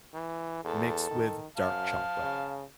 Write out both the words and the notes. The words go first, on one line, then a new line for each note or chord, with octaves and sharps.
mixed with dark chocolate.
E3
E2 A4
D#3
F#2 F5 A5
C#3